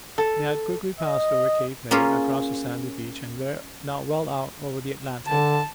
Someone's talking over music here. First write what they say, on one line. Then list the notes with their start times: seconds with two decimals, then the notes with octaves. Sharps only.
They had quickly passed over Cape May, across the sandy beach, and were now well out over the Atlantic.
0.18 A4
1.00 D#5
1.91 A#3 C#4 F4 G#4 C#5
5.26 D3 A5